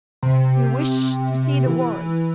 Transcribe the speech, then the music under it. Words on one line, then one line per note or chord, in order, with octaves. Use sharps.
'You wish to see the world.
C3
E3